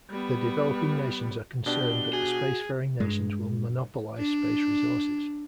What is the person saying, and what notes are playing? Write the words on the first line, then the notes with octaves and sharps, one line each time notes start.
The developing nations are concerned that the spacefaring nations will monopolize space resources.
G3 B3
B2 D4 G4 G7
F#4 G#4
G2 G#3
D4